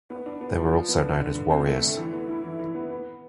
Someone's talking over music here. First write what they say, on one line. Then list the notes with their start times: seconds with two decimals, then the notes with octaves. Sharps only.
They were also known as warriors.
0.10 B3
0.26 D4
0.41 B3
0.57 F3
0.73 F3
0.89 B3
1.04 D3
1.19 D3
1.35 D3
1.50 C4
1.66 A3
1.82 D3
1.97 E3
2.13 B3
2.28 E4
2.44 E3
2.59 E3
2.75 B3
2.90 B3